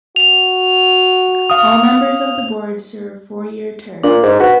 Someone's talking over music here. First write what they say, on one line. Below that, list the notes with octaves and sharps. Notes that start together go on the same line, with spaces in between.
All members of the board serve four-year terms.
F#4 F7
F5 D#6
A#2 D4
G#2
F#4 B4